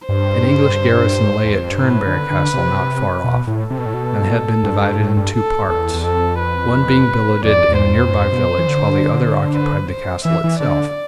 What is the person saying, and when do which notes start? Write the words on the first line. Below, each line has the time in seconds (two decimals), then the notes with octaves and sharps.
An English garrison lay at Turnberry Castle not far off, and had been divided in two parts, one being billeted in a nearby village, while the other occupied the castle itself.
0.08 G2 C5
1.45 E2
1.58 F2
1.72 G2
1.84 A2 B4
2.07 D3
2.30 D3
2.54 C3
3.24 B2
3.47 A2
3.59 A4
3.70 C3
3.78 B2
3.86 A2
3.94 B2
4.64 G2
4.82 G2
5.00 A2
5.16 G2
5.34 A4
5.69 E2 A4
5.94 E2
6.04 F2 A4
6.39 B4
7.45 F2 D5
7.68 E2
7.79 C5
7.86 E2
7.92 F2
8.10 G2
8.14 F2
8.32 B2
8.58 E3
8.67 D3
9.55 B4
9.90 C5
10.25 E3 E5
10.44 E3
10.59 D3 D5